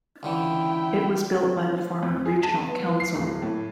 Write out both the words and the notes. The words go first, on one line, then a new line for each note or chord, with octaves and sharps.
It was built by the former Regional Council.
C#2 D3 E3 E4 G5
F2
G#4
A5
B3
E3
C7
D1
A2